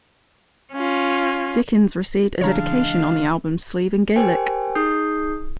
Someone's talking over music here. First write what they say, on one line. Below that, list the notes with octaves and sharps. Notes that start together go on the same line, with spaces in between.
Dickins received a dedication on the album's sleeve in Gaelic.
C#4 F4
C#3 E3 G#3 D4 C#5 F5 A#5
G4 A#4 C5 G5 G#5
D#4 G#4 D#6 G6 C7